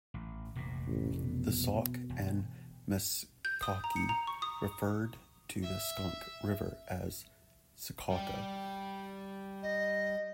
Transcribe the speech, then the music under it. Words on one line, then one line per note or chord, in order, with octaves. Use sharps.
The Sauk and Meskwaki referred to the Skunk River as "Shecaqua".
A1
F1 A#1 A#2
A1
B2
E1
G6
D#6
A#5
C#7
A#5
C#6
D#6
E5
G3 G4
D#5